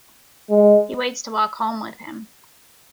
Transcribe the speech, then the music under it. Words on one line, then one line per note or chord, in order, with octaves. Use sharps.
He waits to walk home with him.
G#3